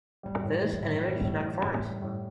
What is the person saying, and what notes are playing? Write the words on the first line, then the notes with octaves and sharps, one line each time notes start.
Thus, an 'image' is not formed.
G3
A2
E3
A2
G3
A2
E3
A2
G3
A2